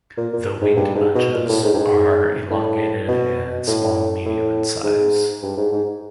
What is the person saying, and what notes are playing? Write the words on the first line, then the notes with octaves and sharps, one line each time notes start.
The winged bunches are elongated and small-medium in size.
A#2
A#2
G#2
G2
G#2
B2
A#2
A2
G#2
G2
G#2
A2
B2
A2
A2
G#2
G2
G#2
G#2